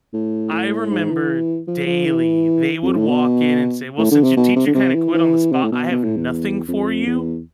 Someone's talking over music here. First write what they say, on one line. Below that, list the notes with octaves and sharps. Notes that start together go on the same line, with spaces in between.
I remember daily, they would walk in and say, "Well, since your teacher kinda quit on the spot, I have nothing for you.
A2
A2
G#2
E3
F3
F3
E3
F2
A2
B2
A2
D3
C3
B2
C3
D3
C3
E3
E3
C3
A2
B2
B2
A2
E2
F2
E2